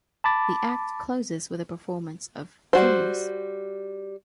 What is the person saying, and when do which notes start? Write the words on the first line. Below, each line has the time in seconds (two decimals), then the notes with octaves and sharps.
The act closes with a performance of "Dreams".
0.24 A5 B5 D6 A6
2.73 G3 F#4 C5